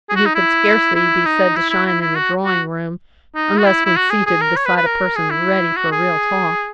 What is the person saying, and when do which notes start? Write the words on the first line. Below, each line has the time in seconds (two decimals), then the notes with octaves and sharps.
And he could scarcely be said to shine in a drawingroom, unless when seated beside a person ready for real talk.
0.10 G#4
0.16 F#4
0.26 D#4
0.35 E4
0.95 E4
1.25 D#4
1.56 E4
1.70 E4
1.86 E4
2.01 E4
2.16 F#4
2.45 F#4
3.36 D#4
3.59 F#4
3.67 E4
3.85 E4
3.97 F#4
4.11 G#4
4.26 G#4
4.41 A#4
4.56 C#5
4.66 B4
4.76 B4
4.86 A#4
5.16 G#4
5.31 E4
5.77 F#4
5.92 G#4